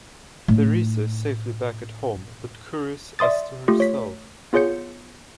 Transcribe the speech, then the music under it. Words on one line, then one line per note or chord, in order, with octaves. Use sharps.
Theresa is safely back at home, but curious as to herself.
A2 D#4
D5 E5 C6 D#6 A6
A3 F4 G4
C#5 B6
B3 F4 G#4 C#5 G6 C#7